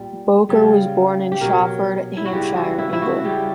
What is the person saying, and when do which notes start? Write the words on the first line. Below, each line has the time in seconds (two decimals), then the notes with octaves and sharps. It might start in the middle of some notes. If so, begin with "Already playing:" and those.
Bowker was born in Shawford, Hampshire, England.
Already playing: A#2 G3
0.49 C#3 G3
1.32 G4
1.41 B2 F#3 A#4
2.17 E4
2.25 F#4
2.33 C#3 E3 G3 G4
2.56 F#4
2.78 E4
2.93 E4
3.02 F#4
3.24 C#3 G3 G4